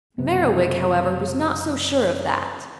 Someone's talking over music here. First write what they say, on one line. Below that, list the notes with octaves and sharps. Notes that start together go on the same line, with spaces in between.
Merriwig, however, was not so sure of that.
F#1 C3